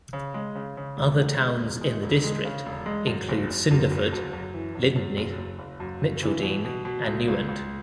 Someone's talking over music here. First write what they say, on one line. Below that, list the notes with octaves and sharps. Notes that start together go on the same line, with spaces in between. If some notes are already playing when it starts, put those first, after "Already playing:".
Other towns in the district include Cinderford, Lydney, Mitcheldean and Newent.
C#3
G#3
C#3
C#3
E1
D2
G#3
E1
G#3
E1
G#3
C#3
E1
G#3
F#2
F#1
F#1
F#2
F#1
F#2
F#2
E3
F#2
F#2
F#1
F#1
F#1
F#2
F#1
E3
B2
B2
B2
C#2
C#2
C#2